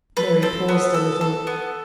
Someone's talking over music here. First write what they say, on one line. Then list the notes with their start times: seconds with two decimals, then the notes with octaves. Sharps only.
Mary paused a little.
0.17 A4 B4
0.42 C4 A4
0.68 B3
0.94 A4
1.21 A4
1.47 B3